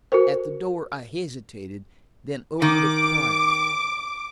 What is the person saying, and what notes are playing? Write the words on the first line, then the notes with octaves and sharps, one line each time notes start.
At the door I hesitated, then opened it quietly.
F#4 A4 A#4 C5
D#3 D6